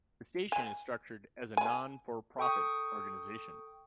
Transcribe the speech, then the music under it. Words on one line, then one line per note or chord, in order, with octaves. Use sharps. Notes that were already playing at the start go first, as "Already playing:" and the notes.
The station is structured as a non-for-profit organisation.
G#5
G#5
A4 G5 C#6 D#6